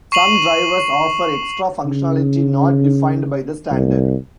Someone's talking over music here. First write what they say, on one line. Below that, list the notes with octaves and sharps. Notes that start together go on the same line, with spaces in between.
Some drivers offer extra functionality not defined by the standard.
C#6 C7 D#7 F7 F#7
C#3
C2